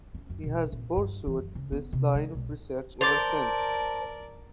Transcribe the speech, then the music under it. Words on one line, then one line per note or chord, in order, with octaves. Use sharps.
He has pursued this line of research ever since.
C#4
F#2
B1
A#1
G2
E3
F#2
C#3
B3
C3
G#3
B1
A#4 C5 D5 A5 D6 A6 F7